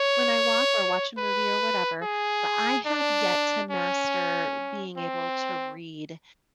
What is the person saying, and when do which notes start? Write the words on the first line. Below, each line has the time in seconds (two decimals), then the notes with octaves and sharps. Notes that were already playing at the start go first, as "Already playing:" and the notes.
when I walk or watch a movie, or whatever, but I have yet to master being able to read
Already playing: C#5
1.18 B4
2.02 G#4
2.86 D4
3.71 C#4
4.97 C4